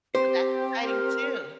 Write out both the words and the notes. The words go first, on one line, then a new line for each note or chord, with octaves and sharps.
So, that's exciting too.
C4 G4 C5
A#4